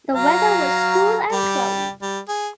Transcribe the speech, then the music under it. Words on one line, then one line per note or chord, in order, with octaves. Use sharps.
The weather was cool and cloudy.
F#3 F5 A#5
G3 G4
G3
G#4